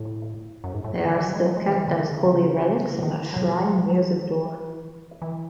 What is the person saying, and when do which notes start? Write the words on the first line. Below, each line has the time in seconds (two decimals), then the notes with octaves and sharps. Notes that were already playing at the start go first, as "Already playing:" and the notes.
They are still kept as holy relics in a shrine near the door.
Already playing: A2
0.64 F#2
0.73 G#2
0.84 A2
1.05 D#3
1.16 E3
1.25 F#3
1.36 G#3
1.46 F#3
1.57 G#3
1.68 E3
1.78 E3
1.89 D#3
1.99 D#3
2.09 C#3
2.25 C#3
3.03 D#3
3.13 E3
3.19 D#3
3.23 E3
3.34 F#3
3.90 F#3
3.97 E3
5.22 E3